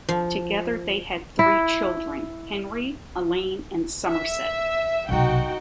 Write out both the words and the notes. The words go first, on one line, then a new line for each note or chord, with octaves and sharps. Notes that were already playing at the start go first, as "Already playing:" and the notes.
Together they had three children, Henry, Elaine and Somerset.
F3
E4
E5
B1 C3 D#4 F#4 G5